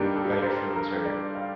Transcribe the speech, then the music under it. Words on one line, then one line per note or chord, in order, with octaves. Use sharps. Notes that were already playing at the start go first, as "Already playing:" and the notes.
got your feelings hurt,"
Already playing: G2 D#3 A#3 D4 G4
A4
G4
A4
C5
A#4
A#4
D5
F5